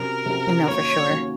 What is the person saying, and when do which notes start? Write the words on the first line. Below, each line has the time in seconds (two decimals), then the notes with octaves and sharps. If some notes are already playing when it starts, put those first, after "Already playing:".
You know, for sure.
Already playing: C3 F#3 C#4 A#4
0.26 C3 F#3 C#4
0.67 D#3 F#3 A#3 C#4 C#5
1.09 D#3 F#3 A#3 C#4